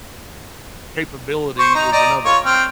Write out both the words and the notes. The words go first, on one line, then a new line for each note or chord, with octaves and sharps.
capability is another.
C5 C#6
D#4 A#5
D5 D#5 A#5
F4 C#5
C4 F6